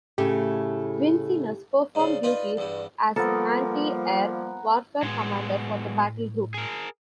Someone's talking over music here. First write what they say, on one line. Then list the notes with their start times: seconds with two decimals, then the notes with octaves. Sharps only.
"Vincennes" performed duties as anti-air warfare commander for the battle group.
0.18 A2 C#3 A3 G4
1.95 G#2 C#3 D5
2.23 D#4 F4 B4
2.57 E2 G2
3.16 F3 G3 A#3 B3 A4 A#4
5.03 A2 F#3 G#3 B3
6.54 G#4 A#4